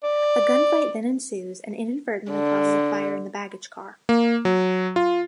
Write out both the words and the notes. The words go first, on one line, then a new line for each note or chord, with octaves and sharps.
A gunfight then ensues and inadvertently causes a fire in the baggage car.
D5
D3
A#3
F#3
F4